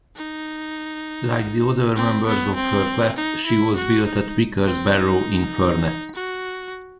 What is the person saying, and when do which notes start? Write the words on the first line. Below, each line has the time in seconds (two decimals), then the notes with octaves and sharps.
Like the other members of her class, she was built at Vickers Barrow-in-Furness.
0.16 D#4
1.96 C4
2.26 B3
2.56 C4
3.16 D#4
3.46 E4
3.76 F#4
4.06 D#4
4.66 C4
4.96 D#4
6.16 F#4